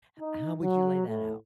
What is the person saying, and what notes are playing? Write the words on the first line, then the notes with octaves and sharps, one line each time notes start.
H how would you lay that out?
D#4
F#3
A2